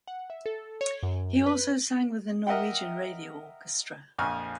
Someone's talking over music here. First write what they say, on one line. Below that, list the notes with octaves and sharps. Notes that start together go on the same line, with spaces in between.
He also sang with the Norwegian Radio Orchestra.
F#5
E5
A4
C#5
F#2
B4
A#4 D#5 E5 F#5 G5
A#1 F2 G#5 C#6 F6